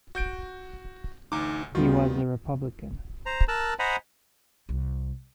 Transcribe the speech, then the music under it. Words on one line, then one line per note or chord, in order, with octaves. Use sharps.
He was a Republican.
F#4 G6 D7
A1 D2 D#4 D6
D2 D#3 G3 B3 F4 F#4
C5 A#5
A#4 A5 E6 F#6
C5 D#5 F#5 G#5 A#5 B5
C2